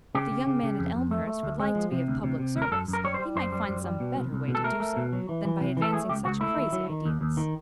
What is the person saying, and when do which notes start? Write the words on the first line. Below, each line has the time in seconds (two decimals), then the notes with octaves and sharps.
If the young man at Elmhurst would like to be of public service he might find some better way to do so than by advancing such crazy ideas.
0.15 C#3 G4
0.31 C#3
0.47 C#3
0.63 C#3
0.79 F2
0.95 F2
1.11 A3
1.27 A3
1.43 D2
1.60 G#3
1.75 F3
1.92 C3
2.08 D2
2.23 C3
2.39 C3
2.56 D2
2.62 A#4
2.72 F#2 A4
2.88 F#2
2.93 A#4
3.04 G3 C#5
3.14 C5
3.20 G3
3.36 F#2 C5
3.52 G3
3.69 F#2
3.84 G3
4.00 B2
4.17 C2
4.33 C2
4.48 B2
4.55 A4
4.64 A3 A#4
4.80 A3
4.96 B2
5.13 F#3
5.29 E3
5.45 E3
5.61 C3
5.77 E3
5.82 A4
5.93 A3 G#4
6.09 C#2 G4
6.25 C#2 F#4
6.41 A3 E4
6.57 D#3
6.73 F#3
6.89 D#3
7.05 D#2
7.21 D#2
7.37 D#3